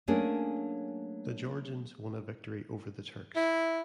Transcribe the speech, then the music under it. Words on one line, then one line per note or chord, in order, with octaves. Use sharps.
The Georgians won a victory over the Turks.
F#3 A3 A#3 C#4 D4 G#4
E4